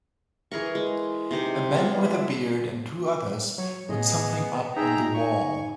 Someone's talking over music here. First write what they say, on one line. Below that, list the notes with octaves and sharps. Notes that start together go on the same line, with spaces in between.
A man with a beard and two others put something up on the wall.
E3 G#4 A#4 C#6
G#3
C3 D#4 G4 C5
G#3 B3 D4 F4
E4
F#3 C#5
A2 B3 G#4 D#5
D#4 G#4 E5 G5 A#5
G#5 C#6